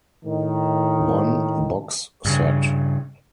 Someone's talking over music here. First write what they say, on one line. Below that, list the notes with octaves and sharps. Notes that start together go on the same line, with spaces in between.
One box set.
A2 D#3
G2 C#3